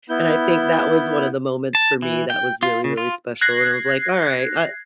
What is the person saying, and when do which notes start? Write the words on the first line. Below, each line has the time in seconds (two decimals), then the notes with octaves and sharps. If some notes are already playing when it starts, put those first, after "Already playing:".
and I think that was one of the moments for me that was really, really special, and I was like, "Alright, I
0.09 B3 E4 G6
1.75 A5
2.02 E3
2.30 G5
2.63 F4
2.84 C#3
2.97 F4
3.41 F#6 G#6 A#6 C7